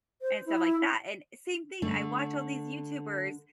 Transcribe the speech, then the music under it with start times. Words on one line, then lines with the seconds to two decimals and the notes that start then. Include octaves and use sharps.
and stuff like that, and, eh, same thing, I watch all these YouTubers
0.22 C5
0.46 E4
1.82 D3 A3